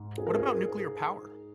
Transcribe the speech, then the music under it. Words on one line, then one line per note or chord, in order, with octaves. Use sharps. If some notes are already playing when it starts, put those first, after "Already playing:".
What about nuclear power?
Already playing: G#2
G#4
A#4
G#4